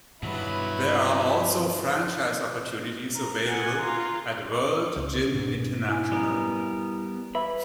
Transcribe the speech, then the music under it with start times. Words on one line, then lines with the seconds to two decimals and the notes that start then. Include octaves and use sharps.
There are also franchise opportunities available at World Gym International.
0.23 G2 B2 D3 D#3 F#3 E4 B4
3.14 A#5
3.46 F#5 G#5
3.79 F4 A#5
4.96 C#2
5.34 G#2 B2
5.89 E4 G#5
6.12 G3 B3 A#4
7.35 B4 E5 B5